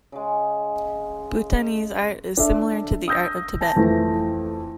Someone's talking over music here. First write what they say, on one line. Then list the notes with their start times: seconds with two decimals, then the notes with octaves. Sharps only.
Bhutanese art is similar to the art of Tibet.
0.12 C#3 G#3
2.37 D4 A4 E5
3.08 D#6 E6 G6 A#6
3.61 G#5 A5 A#6
3.76 F2 E3 A3